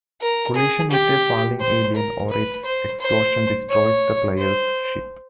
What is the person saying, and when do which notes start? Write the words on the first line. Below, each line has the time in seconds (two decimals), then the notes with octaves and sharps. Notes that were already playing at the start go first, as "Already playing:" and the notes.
Collision with a falling alien or its explosion destroys the player's ship.
0.21 A#4
0.56 G#4
0.91 G4
1.60 C5
1.95 A#4
2.30 B4
2.65 C5
3.00 C5
3.69 C#5
4.38 C5